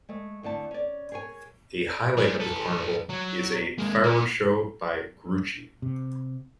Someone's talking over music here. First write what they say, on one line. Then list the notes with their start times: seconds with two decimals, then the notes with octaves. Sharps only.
A highlight of the carnival is a fireworks show by Grucci.
0.09 G#3 A3
0.43 E2 D3 A3 A5
0.71 C#4 D5
1.12 G#4 A#4 C#5 G#5
2.17 G3 G#4
2.40 A4 B4
3.09 F#3
3.78 G#3 A#3
4.04 A#3 B3
5.82 C3